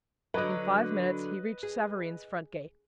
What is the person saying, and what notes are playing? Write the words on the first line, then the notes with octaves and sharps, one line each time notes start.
In five minutes he reached Savareen's front gate.
D3 F#3 B4 D#5
G#4